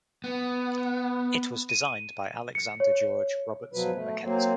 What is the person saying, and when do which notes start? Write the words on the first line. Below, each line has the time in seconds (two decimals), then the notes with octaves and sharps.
It was designed by Alexander George Robertson Mackenzie.
0.24 B3
1.69 D#7
2.55 C#7
2.80 C#5
3.73 B2 F3 F#3 B4
3.94 A3
4.23 F#3 A#3 C4